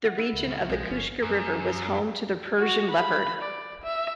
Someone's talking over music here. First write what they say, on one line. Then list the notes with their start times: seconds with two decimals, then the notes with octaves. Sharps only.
The region of the Kushka River was home to the Persian leopard.
0.05 F#4
0.18 E4
0.33 C#2
0.48 G3 C#4
0.69 B1 F3 G#3 G#4
0.90 G1 C#4
1.22 F#2
2.58 F#4
2.90 B5
3.42 D5
3.83 E5